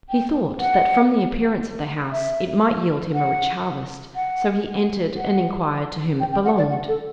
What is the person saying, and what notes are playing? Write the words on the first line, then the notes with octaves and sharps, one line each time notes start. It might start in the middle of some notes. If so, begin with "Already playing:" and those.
He thought that from the appearance of the house it might yield him a rich harvest, so he entered and inquired to whom it belonged.
G5
F#5
E5
F#5
F#5
F#5
G5
G5
F#5
D5
F#5
A4